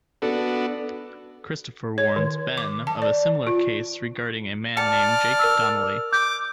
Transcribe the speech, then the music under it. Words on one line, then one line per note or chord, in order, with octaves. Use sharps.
Christopher warns Ben of a similar case regarding a man named Jake Donnelly.
B3 D4 F#4 A4
C#5
D#3
D6
A5
D5
F4
D5 A5 F6 C#7
A#4 E6
D6 G6